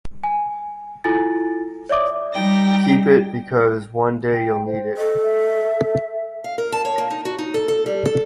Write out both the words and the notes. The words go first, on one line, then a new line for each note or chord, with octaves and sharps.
Keep it because one day you'll need it.
G#5
E4 F4 A4 G#5 A6
C#5 D5 E5 D6 D#6
G3 D#4 G5 A#6
G5
C5
A4 D#5
E5
F5
A#4
A5
C#5
A#3
D#4
F#4
D#4
A4
A4
G3
A4